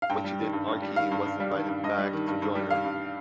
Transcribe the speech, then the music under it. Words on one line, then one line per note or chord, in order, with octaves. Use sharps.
When she did, Archie was invited back to join her.
F5
G2 G5
G3
D#3
G2
G2
G3
D#3 F5
G2
G2
G3
D#3
G2
G2 D#5
G3
D#3
G2
G2
G3
D#3 F5
G2